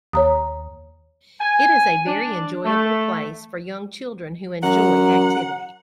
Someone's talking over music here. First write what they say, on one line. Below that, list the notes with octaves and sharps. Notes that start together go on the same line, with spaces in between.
It is a very enjoyable place for young children who enjoy activity.
D#2 C#5 A#5 D#6
G#5
D4
A3
F#2 F#5 A#5